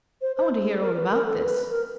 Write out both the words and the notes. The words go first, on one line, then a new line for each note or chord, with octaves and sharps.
I want to hear all about this.
C5
C5
G#4
A#4
B4
A#4
A4
B4
A#4